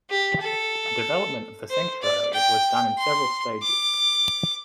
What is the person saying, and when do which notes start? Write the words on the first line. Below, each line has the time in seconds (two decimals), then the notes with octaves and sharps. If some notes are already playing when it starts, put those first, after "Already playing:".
The development of the Sanctuary was done in several stages.
0.10 G4
0.41 A4
1.70 C5
2.02 D5
2.33 G5
2.98 C6
3.63 D6